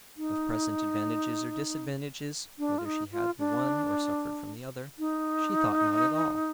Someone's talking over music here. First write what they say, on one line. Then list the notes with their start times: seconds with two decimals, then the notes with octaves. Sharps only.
Of present advantages or disadvantages,--whether she had the one or suffered from the other,--she thought not at all.
0.17 D#4
2.59 D4
2.78 F4
2.85 D#4
3.12 F4
3.39 D4
4.99 D#4